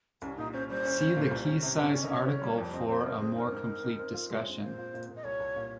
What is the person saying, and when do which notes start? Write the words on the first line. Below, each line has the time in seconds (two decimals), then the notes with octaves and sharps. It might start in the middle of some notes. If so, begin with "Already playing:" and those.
See the key size article for a more complete discussion.
0.22 C2 C#4
0.37 A#2 D#4
0.53 C#4 C5
0.69 G3 C5
0.85 C#4
1.00 C#4
1.16 A#2
1.31 C2
1.47 C#4
1.63 C3
1.79 C#4
1.95 C#4
2.01 D#5
2.10 C#4 C#5
2.26 C#4
2.42 G3
2.58 F2
2.73 C4 D#5
2.89 C4 C5
3.04 C4 A#4
3.20 C4 G#4
3.36 D#4 A#4
3.52 G#2
3.68 D#4
3.84 D#4
3.99 C4
4.14 F4
4.30 G#3
4.47 C4
4.62 A#2 C5
4.78 F4
4.94 A#2
5.09 A#2
5.16 D#5
5.24 C2 C#5
5.40 C2
5.56 A#2